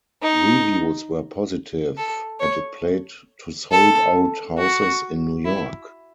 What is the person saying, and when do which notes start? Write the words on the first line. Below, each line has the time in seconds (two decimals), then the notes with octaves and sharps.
Reviews were positive, and it played to sold-out houses in New York.
0.22 D#4
1.97 A4
2.40 C#5
3.72 A4
4.58 F#4
5.45 E4